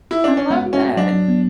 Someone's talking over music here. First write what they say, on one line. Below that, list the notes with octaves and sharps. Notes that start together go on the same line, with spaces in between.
I love that.
E4
D4
C#4
G#3 B3
F#4
C#4
F#4
F#3 D4
F#3
B3